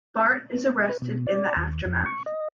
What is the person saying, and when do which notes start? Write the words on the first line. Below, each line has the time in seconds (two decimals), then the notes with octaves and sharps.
Bart is arrested in the aftermath.
0.89 B4
1.02 B2
1.27 D5
1.56 D#2
1.85 F2
2.06 C#6
2.26 D#5